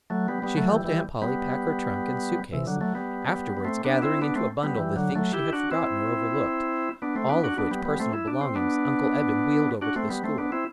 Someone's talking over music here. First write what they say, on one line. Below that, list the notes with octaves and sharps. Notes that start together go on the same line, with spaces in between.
She helped Aunt Polly pack her trunk and suit case, afterwards gathering into a bundle the things she had forgotten or overlooked, all of which personal belongings Uncle Eben wheeled over to the school.
F#3 A3
G3 B3
G3 B3
F#3 A3
E3 G3
E3 G3
G3 B3
C3 E3
D3 F#3
F#3 A3
G3 B3
B3
A3 C4
B3 D4
C4 E4
B3 D4
A3 C4
G3 B3
E3 G3
D3 F#3
F#3 A3
E4 G4
D4 F#4
C4 E4
B3 D4
A3 C4
B3 D4
D4 F#4
B3 D4
G3 B3
G3 B3
A3 C4
E4
D4
C4
B3 D4
D4 F#4
A3 C4
G3 B3
A3 C4
B3 D4
C4 E4